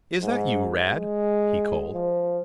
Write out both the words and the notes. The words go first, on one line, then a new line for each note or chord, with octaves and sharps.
"Is that you, Rad?" he called.
G#2
G#3
F3